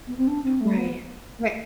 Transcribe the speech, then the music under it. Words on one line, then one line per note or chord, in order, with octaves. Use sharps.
Right. Ri
B3
C4
D4
C4
A3
B3